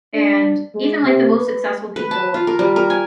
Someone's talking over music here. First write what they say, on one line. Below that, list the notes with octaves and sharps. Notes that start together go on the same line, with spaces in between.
and even like the most successful people,
D4
G#3
C3
B4
B4
A5
F4
A#4
G3
A#4
G#5